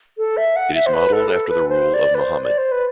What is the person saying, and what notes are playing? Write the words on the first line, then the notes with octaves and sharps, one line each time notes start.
It is modeled after the rule of Muhammad.
A4
E5
F#5
E5
C5
B4
A4
A4
B4
C5
D5
B4
C5
D5
C5
B4